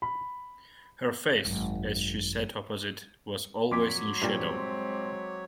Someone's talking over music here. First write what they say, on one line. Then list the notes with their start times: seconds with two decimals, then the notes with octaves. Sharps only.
Her face, as she sat opposite, was always in shadow.
0.02 B5
1.45 G#1 F#2
3.71 F2 A#2 F#3 C#5 C6 D6 B6
4.22 G2 A#2 G3 G#3 C4